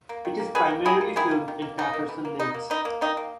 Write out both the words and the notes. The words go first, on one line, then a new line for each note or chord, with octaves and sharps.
It is primarily filmed in Patterson Lakes.
A#3
D#3
A#3
D#3 G#4 B4
A#3
D#3 E4 G#4
A#3
D#3 E4 G#4
A#3
D#3
A#3
E3 D#4
A#3
E3
A#3
E3 D#4
A#3
E3 D#4
A#3
D#3 D#4
A#3